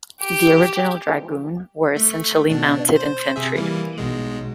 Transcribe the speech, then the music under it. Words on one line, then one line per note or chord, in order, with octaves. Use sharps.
The original dragoons were essentially mounted infantry.
G4
A3
B2 D4
C5
C3 G#4 E5
E3 G3 A#3
B1 B2 G#3